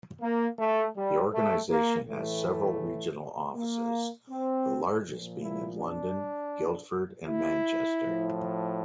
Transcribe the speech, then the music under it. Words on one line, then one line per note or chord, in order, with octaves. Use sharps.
The organisation has several regional offices, the largest being in London, Guildford and Manchester.
A#3
A3
G3
A3
A#3
A2 E3 A3
A#3
C4
A#2 F3
E4
D4
E4
A2 F3